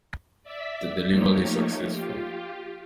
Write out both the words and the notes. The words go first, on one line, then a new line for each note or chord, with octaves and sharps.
The delivery is successful.
D5 E5 E6 B6
F3 A3 A#3 D#4 G4 C#5
F4 G4